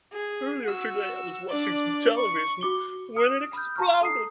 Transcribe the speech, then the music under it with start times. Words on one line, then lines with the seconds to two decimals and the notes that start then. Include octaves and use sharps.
Earlier today I was watching some television when it exploded!
0.13 G#4
0.64 F#4 E6
1.49 D4 D5
2.17 C#6
2.61 F#4 D6 G7
3.16 D#6 F6
3.53 B5 D#6 F6 G6
3.76 A5 A#5 C#6 F6
4.01 A4 D#6 C7